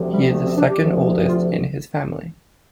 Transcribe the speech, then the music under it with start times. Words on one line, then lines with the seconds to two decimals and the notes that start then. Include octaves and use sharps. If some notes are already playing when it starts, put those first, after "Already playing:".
He is the second oldest in his family.
Already playing: D2 C3 F3
0.12 G3
0.34 A3
0.47 C4
0.58 D4
0.69 G4
0.81 D2 C3 F3
1.25 F4